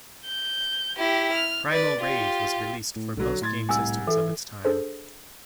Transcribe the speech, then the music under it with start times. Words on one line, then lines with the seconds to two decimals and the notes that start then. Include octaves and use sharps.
"Primal Rage" was released for most game systems of its time.
0.26 G6
0.98 E4 G4
1.33 F6
1.71 B4 D5
1.99 F4 G4
2.96 A2
3.17 B1 D3 F#3
3.42 A2 C6 G#6 A6
3.69 C2 G#5 E6
4.07 E3 A4 E5
4.65 D4 G#4 A4 C5